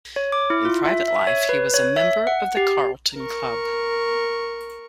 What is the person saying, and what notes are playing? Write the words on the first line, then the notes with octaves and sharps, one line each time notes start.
In private life he was a member of the Carlton Club.
C#5
D6
E4
F4
E5
E5
C#5
B4
C#5
E5
F#5
G4
A#4 C#6